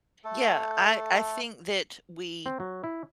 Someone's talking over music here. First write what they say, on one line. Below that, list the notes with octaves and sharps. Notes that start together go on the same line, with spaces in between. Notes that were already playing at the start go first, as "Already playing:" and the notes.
Yeah, I I think that we
A3 A4
C4
F#3
E4